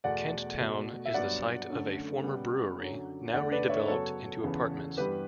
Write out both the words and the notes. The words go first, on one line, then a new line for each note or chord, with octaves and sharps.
Kent Town is the site of a former brewery, now redeveloped into apartments.
E2 B2 A3 D5 F#5
B2 A3
E5
G2 F#3 B3 D5 F#5
F#2 D3 A3
C#3 G3 B3
F#2 D3 F#3
E2 D3 A3 D5 F#5
B4 D5
C#5 E5
F#2 C#3 F#3 B3 A4 C#5
E2 C#3 E3 B3
G2 E3 G3 B3 G4 B4